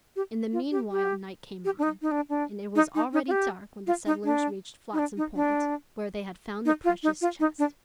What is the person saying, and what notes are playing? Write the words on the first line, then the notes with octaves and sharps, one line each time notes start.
In the meanwhile night came on, and it was already dark when the settlers reached Flotsam Point, where they had found the precious chest.
G4
F4
G4
G4
G4
D4
D#4
D#4
D4
D4
D#4
D#4
D#4
F4
G4
F4
D#4
D4
D#4
D4
D#4
D4
D#4
F4
D#4
F4
D#4
D4